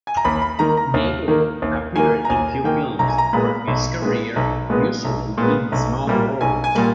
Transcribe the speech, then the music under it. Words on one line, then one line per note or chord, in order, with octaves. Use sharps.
Gabel appeared in few films over his career, usually in small roles.
G#5
A#5
D#2 B5
B5
D#3 A#3 A#5
A#5
D#2
D#3 A#3
D#2
D#3 A#3 G#5
A#5
D#2 G#5
D#3 A#3 G5
B1 A#5
G#5
A#5
A#2 G#3 B3 B5
B1
A#2 G#3 B3
B1
A#2 G#3 B3
B1
A#2 G#3 B3
B1
A#2 G3 A#3
B1 G#5
G#5
A#2 G3 A#3